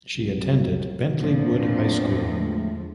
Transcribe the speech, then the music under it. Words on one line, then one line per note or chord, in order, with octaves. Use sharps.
She attended Bentley Wood High School.
C2 F#3
E2 A2 F3 A#3 C4 D4
D3 G#3 A3